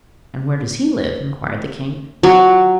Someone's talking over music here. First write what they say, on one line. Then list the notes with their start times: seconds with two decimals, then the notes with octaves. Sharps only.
'And where does he live?' inquired the king.
2.23 F#3